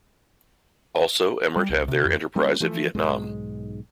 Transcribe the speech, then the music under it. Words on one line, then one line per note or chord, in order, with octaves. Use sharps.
Also Emart have their enterprise at Vietnam.
G3
C2
C3
F2
G3 A#3 C#4
E3 F3 A3
B1 G#2 G#3